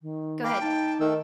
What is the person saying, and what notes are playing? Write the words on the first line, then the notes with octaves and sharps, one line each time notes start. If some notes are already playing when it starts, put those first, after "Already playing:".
Go ahead.
D#3
B4 F5 G5 D6
D#4 A5
D#3 A3 E6